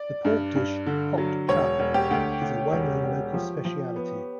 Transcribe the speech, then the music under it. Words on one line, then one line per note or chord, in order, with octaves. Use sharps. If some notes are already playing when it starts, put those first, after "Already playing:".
The pork dish "poc-chuc" is a well known local specialty.
Already playing: D5
G2
G2
D3
F#3
E1 C#5
E1
G4
D2
D2
E1
E1
F3
F3
B3